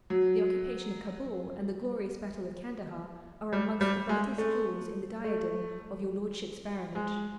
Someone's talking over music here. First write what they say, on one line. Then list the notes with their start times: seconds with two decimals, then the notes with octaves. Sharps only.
The occupation of Kabul and the glorious battle of Kandahar are amongst the brightest jewels in the diadem of Your Lordship's Baronage. . . .
0.10 F#3
3.53 G3
3.81 G3
4.09 G#3
4.38 A3
5.24 A3
6.95 G#3